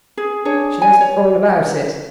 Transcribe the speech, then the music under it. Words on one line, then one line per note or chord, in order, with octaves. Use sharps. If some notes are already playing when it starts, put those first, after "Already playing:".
She knows all about it.
G#4
D4 G#4 C#5
G#5
C#5